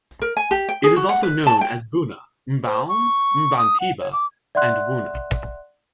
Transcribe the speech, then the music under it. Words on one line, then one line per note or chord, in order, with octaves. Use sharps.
It is also known as Buna, Mboum, Mboumtiba, and Wuna.
A#4
G#5
G4
G5
G#4
F#4
F#5
B4
A5
G5
C5
C#6
D#6
F#5
C#5
D6
D5 E5 F#5 C6 F#6